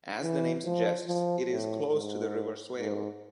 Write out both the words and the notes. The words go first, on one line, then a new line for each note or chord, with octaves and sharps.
As the name suggests it is close to the River Swale.
E3
F3
F3
A2
G#2
G#2